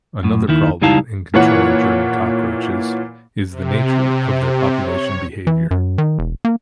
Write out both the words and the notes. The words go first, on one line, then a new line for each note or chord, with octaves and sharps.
Another problem in controlling German cockroaches is the nature of their population behaviour.
F#2 A2
D#2 D#3 E4
C#2 G3 D#4 E4 F5 A5
A#2 E3 C#5 F#5
C3
C#5
E3
F#2
D#3
E1
A#3